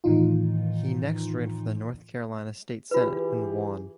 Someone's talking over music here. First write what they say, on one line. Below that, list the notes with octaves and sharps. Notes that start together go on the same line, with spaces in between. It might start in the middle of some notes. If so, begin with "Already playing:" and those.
He next ran for the North Carolina State Senate and won.
A2 D#3 E3 D#4 F4
E3 F4 G4 G#4 B4